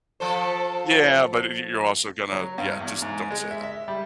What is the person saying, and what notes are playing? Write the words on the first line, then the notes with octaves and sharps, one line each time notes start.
Yeah, but y you're also gonna yeah, just don't say
F3 A4 C5
F#3
G2
E2
G#2
G#3
E5
E5
G3